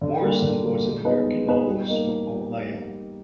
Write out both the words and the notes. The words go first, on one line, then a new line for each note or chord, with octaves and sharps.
Morrison was an American novelist from Ohio.
D3
G3 A#3
D3
G3 A#3
G#3
B3 D#4 G#4 B4
G#3
B3 D#4 G#4 B4
G3
A#3 D#4